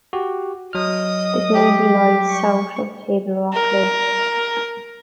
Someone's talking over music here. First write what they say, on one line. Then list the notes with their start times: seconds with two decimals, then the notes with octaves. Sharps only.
The community lies south of Table Rock Lake.
0.13 F#4 G4
0.73 F#3 D#5 D#6 F6
1.55 G4
2.29 C#6
3.53 A#4